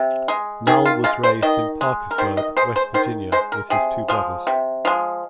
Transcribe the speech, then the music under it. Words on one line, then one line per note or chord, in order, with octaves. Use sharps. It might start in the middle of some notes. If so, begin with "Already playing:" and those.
Null was raised in Parkersburg, West Virginia, with his two brothers.
Already playing: C3
G#3
D#3 G#4
F4
G#3 F4
C5
D#3 D#5
G#3
A#4
D#3 C5
D#5
G#3 C5
C5
D#3 C5
G#3 C5
A#4
C3 G#4
F3 G#3
C3
F3 G#3